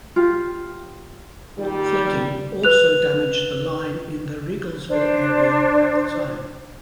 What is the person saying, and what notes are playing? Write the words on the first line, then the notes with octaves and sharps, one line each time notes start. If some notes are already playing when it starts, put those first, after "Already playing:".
Flooding also damaged the line in the Riegelsville area at the time.
F4 G4
A#2 D#3 G3
B4 F#6 F7
D4 C5